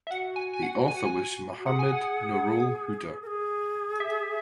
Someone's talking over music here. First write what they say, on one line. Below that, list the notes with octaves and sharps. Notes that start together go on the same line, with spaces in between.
The author was Mohammad Nurul Huda.
E5
F#4 F#5
G#5
G#5
F#5
G#5
F#5
G#5
F#4
G#4 F#5
G#5
F#5
A#4
G#4
E5